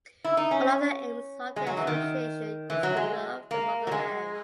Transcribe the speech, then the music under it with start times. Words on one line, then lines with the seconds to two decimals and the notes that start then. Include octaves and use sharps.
One of the aims of the Association is to "love the motherland".
0.24 E4
0.37 D#4
0.51 C#4
1.56 G#3
1.67 F#3
1.77 E3
1.87 D#3
2.70 E3
2.83 F#3
2.97 G#3
3.51 A#3
3.87 F#3
3.92 G#3